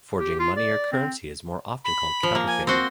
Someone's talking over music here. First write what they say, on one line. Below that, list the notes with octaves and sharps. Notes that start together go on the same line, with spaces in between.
Forging money or currency is more often called counterfeiting.
G4
F4
D5
C4
B5
F3
A#3
G#5
C4 F#4 C6